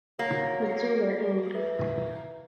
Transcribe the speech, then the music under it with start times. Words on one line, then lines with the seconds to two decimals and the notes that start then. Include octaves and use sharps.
The two were Engr.
0.19 F#3 A#3
1.54 E3